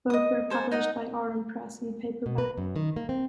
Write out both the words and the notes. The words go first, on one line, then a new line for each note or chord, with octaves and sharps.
Both were published by Aurum Press in paperback.
D#5 D#6
A4 C5 G#5
D#4 D#5 F#5
B2
B4
F#2
D#3
A#3
C4